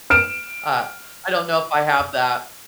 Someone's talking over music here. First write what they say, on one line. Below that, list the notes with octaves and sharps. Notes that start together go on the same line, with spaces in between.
uh, I don't know if I have that
F6 D7 E7